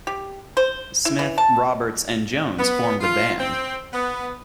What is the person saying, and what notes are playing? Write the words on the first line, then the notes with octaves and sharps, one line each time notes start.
Smith, Roberts and Jones formed a band.
G4
C5
E4
E3
A5
B3
F4
C4
B3